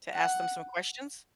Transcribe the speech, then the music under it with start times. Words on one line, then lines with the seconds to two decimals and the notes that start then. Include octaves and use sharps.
to ask them some questions?
0.14 F#5